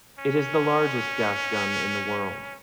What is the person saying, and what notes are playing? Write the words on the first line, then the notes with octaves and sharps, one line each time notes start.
It is the largest gas gun in the world.
C#4